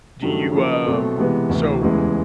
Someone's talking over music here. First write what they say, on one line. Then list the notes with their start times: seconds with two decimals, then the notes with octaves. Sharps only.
Do you, um so,
0.22 G2 D#3 F#3 A3
0.54 C#3 F3 A#3
0.86 B2 F#3 A3 C4
1.18 C3 E3 G#3 B3
1.50 D2 C3 E3
1.82 F1 E2 C#3 E3 G#3